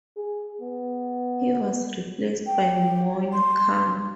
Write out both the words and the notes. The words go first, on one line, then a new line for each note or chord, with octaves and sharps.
He was replaced by Moin Khan.
G#4
B3
G5
C6